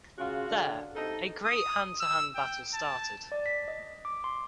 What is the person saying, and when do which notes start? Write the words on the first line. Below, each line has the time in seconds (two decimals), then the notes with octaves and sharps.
There, a great hand-to-hand battle started.
0.19 C#3 G#3 F4 F#4
0.49 D3
0.96 C3 D#4 A4
1.45 D#6
2.00 E6
2.35 G5
2.74 A5
3.32 D5
3.46 B6
3.68 D#5
4.05 D6
4.24 C6